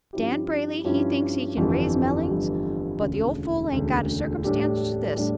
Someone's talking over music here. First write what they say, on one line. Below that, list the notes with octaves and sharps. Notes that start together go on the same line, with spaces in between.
Dan Brayley he thinks he kin raise mellings, but the ol' fool ain't got a circumstance to this.
G2 F3 C#4 E4 G4
G2 F3 C#4 E4 G4
G1 F2 E3 G3
G1 F2 E3 G3
E1 D2 C#3
E1 D2 C#3
A2 G3 D4 G4
A2 G3 D4 G4